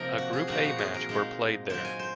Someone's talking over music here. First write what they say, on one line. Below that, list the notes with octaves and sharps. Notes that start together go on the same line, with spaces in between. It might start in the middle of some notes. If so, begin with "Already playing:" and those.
A Group A match were played there.
Already playing: C3 F3 A#3 D#4 A#4
F#4
G#4
A#2 F3 C4 D#4 F#4
F#4
G#4
A#4
A#2 G#3 D#4
F#3 A#3 F4 C5
G#5
C5